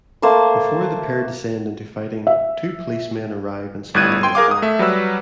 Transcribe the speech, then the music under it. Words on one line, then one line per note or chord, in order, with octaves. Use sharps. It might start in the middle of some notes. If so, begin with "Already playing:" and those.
Before the pair descend into fighting, two policemen arrive and split them up.
A3 A#3 A4 C5
E5
G1 A2 G3 F#6 G#6 D#7
G5 C6
G#4 A#4 F5 D6
G#2 D#6
A3 E5
F#3 G3 B4 E6